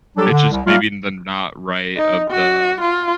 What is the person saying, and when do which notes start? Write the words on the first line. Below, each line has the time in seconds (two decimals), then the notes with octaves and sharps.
it's just maybe the not right of the,
0.17 F#3 G3 D4 G4 A4
0.30 D3
0.50 C2
0.66 F#3 G3 A3 A#3 F4
1.97 D#4
2.30 F#4
2.81 F4